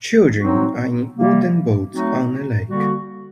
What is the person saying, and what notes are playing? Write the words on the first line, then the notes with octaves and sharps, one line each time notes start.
Children are in wooden boats on a lake.
F#3 C4 D#4 F#4
C3 G3 A#3
F#3 A3 C4 D#4 F#4
D3 G3 A#3 F#4